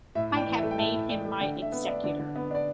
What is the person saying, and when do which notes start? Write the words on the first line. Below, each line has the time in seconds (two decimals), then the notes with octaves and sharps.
I have made him my executor.
0.15 A2 E5
0.31 A2
0.36 D5 G5
0.46 E3
0.57 E5
0.63 A3
0.71 G5
0.78 A2 E5 A5
0.94 A2
1.10 E3 D5 G5
1.25 A3
1.41 D3 D5 G5
1.57 D3
1.62 E5
1.72 B3
1.83 E5
1.88 D4
2.04 D3 D5
2.19 D3
2.36 B3
2.51 D4 D5